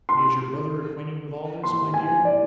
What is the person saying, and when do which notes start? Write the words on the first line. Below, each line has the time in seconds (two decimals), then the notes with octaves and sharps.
And is your brother acquainted with all this, my dear?'
0.09 C6
1.63 C6
1.94 G#5
2.25 D5